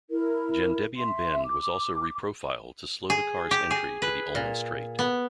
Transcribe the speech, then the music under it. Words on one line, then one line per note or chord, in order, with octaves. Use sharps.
Gendebien Bend was also re-profiled to slow the cars' entry to the Ullman straight.
E4 A#4
E5 C6
D6
G#4
G4
G#4
B4
A#2
B3